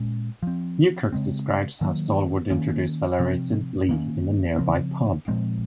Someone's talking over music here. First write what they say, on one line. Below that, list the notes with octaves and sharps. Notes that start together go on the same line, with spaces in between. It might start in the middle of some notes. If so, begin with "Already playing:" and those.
Newkirk describes how Stallwood introduced Valerie to Lee in a nearby pub.
Already playing: A#2 G#3 C#4
F3 C4
C#3 G#3 C4
D#3 F#3 A#3
D#3 A#3 C#4
C3 F3 C4
D#3 A#3 C#4
C#3 F3 C4
A#2 F3 G#3 C4